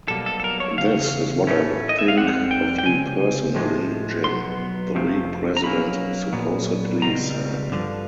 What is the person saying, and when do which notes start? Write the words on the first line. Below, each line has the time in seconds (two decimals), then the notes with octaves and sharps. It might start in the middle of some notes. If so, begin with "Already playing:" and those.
"This is what I think of you personally, Jim", the league president supposedly said.
0.08 B1 B2 G3 A#3 A4
0.26 A4
0.40 A4
0.44 A#4
0.60 C#5
0.78 E2 C#3 F5
1.47 A2 E3 A3 C#4
1.89 D#5
1.99 E5
2.08 F5
2.17 F2 D3 G3 C4 F#5
2.51 G5
2.78 G5
2.86 C#2 C3 C4 G#5
3.55 A2 F3 G#3
4.24 B2 F#3 B3 C6
4.95 F2 C3 F3 A3 C4
5.57 A#5
5.64 B1 A2 F#3 A#3 C#4 B5
6.33 A#2 F#3 B3
7.02 C#2 B2 G3 C4 A#5
7.71 G2 D3 F3